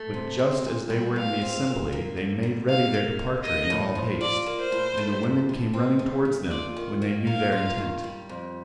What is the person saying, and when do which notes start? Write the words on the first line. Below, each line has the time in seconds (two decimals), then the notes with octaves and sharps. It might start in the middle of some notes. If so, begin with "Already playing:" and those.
But just as they were in the assembly they made ready their departure in all haste, and the women came running towards them, when they knew their intent.
Already playing: A3
0.14 C3
0.39 C4
0.65 A#2
0.90 G3
1.16 A#2 F5
1.42 C4
1.67 A#2
1.92 A#3
2.17 D3
2.43 G3
2.69 D#4 F5
2.94 A#3
3.19 D3
3.44 A#3 D#5
3.70 A2
3.95 F3
4.21 F4 D5
4.46 A#3
4.60 C5
4.72 A2
4.97 A3
5.23 F2
5.49 D3
5.74 C4
5.99 A3
6.25 F2
6.50 F4 D5
6.76 D#3
7.02 A#3
7.27 A#4 F5
7.52 F4
7.78 D#3
8.04 G3
8.29 F2